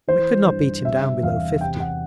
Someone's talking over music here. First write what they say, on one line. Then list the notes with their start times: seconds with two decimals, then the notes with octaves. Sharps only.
We could not beat him down below fifty....
0.08 E3 C5
0.46 G2
0.85 C3 E5
1.23 E2 F5
1.61 C3 G5
1.80 F#5